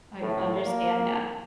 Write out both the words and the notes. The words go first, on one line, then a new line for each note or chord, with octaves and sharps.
I understand that.
A2
A#3